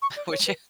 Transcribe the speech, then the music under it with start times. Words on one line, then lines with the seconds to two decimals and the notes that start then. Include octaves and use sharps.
Would you?
0.02 C#6
0.16 D5
0.31 C#5
0.46 B4